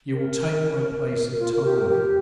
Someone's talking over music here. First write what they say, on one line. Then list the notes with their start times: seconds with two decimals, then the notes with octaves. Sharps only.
You will take my place entirely.
0.13 A#4
1.39 F4
1.52 A#4
1.65 G4
1.77 A#4
1.89 G4